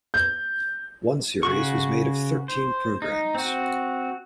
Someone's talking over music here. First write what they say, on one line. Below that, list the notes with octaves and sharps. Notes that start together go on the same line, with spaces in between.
One series was made of thirteen programmes.
G6
C#3 F#4 C#6
C5
D#4
C4 F#4